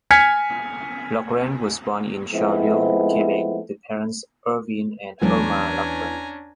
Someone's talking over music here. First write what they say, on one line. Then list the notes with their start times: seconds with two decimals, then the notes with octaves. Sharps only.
Laughren was born in Shawville, Quebec to parents Irvin and Erma Laughren.
0.11 G#5 F6 G#6 B6 C#7
2.33 F3 G#3 A3 B3 C4 E4
5.22 E2 F#3 G#3 A#3 C#4 D4 G#5 A#5